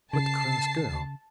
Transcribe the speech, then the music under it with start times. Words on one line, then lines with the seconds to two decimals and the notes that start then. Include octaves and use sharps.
What cross girl!
0.13 C#3 A5 C7